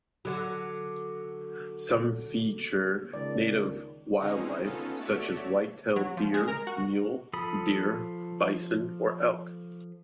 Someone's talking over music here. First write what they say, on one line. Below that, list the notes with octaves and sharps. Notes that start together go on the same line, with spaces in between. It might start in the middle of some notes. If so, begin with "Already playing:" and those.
Some feature native wildlife such as whitetail deer, mule deer, bison or elk.
D3 F#3
C#2 D#3 D5
D3 E3 G#3 C4 C#4 D#4
B3 C#4 D#4 F4 A4
A3 F#4 C#5 D5 E5
F#3
F3
G#3
A#4
F#4
F3 A4 B5 D#6